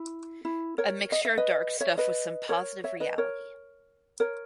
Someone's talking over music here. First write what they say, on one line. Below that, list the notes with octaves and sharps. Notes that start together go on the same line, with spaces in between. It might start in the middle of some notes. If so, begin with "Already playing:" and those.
A mixture of dark stuff with some positive reality.
Already playing: E4
E4
A#4 C#5
D#5
E5
B4 D#5
C#5 E5
B4 D#5
A#4 C#5
C#5 E5
B4 D#5
A#4 C#5
A#4 C#5